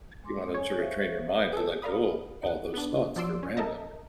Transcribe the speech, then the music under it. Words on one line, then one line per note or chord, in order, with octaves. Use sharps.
you wanna sort of train your mind to let go of all those thoughts that are random.
G#3 C6 D6
C#4 C#5 G#5
C5 E5 F5
B4 C#5
G#4 A4
A#4 D5 F5 B5 D#6
D#4 F#5
B3 D4
F3 F#3 D5 C6 E6 D7
C#4
A4 A#4 D#5 E5 A5 A#5